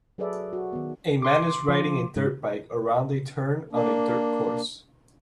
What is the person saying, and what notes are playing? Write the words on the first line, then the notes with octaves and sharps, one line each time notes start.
A man is riding a dirt bike around a turn on a dirt course.
F#3 G#4 A4 B4 D5 E5
F#4
D#3 B3
C6 D6
F3
G#2
A#3 D4